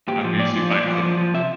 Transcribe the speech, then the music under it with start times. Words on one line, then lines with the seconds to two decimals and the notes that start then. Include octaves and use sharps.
I musi I I've
0.08 A#2 G4
0.25 F3
0.39 A#2 D5
0.56 F3
0.71 A#2 D5
0.86 F3
1.03 F3
1.18 F3
1.34 C3 E5